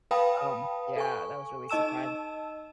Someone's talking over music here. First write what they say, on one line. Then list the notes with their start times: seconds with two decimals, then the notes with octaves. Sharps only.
um, yeah, that was really surprising.
0.11 B4 F5 G5 A5 B5 D#6
0.96 A4 G#5 C#6
1.70 D#4 D#5 A5 E6 E7